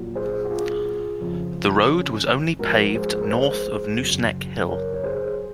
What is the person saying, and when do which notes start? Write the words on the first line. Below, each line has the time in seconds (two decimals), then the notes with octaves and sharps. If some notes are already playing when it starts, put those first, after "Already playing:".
The road was only paved north of Nooseneck Hill.
Already playing: A#2 F#3
0.15 G#4 C5
0.45 F#4
0.51 F4 G#4
1.20 F2 C#3 F3
1.90 C#4
2.59 G#2 F3 F#4 A#4
2.94 G#4 C5
3.21 A#4
3.30 G#4 C5
3.99 F#2 C#3 F#3
4.69 A#4 C#5
4.94 C#5
5.04 G#4 C5